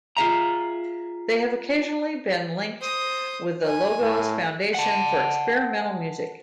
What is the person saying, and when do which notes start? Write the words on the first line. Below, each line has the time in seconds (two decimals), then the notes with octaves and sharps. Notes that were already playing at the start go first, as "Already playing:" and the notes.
They have occasionally been linked with the Logos Foundation for experimental music.
0.17 F4 G#4 E5 A#5
2.81 C5 D#6
3.64 G#5
4.01 A2
4.74 F#5 A5